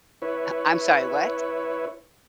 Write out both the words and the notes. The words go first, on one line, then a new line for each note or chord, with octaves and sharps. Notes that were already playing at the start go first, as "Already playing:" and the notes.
Uh, I'm sorry, what?
E4 B4 C#5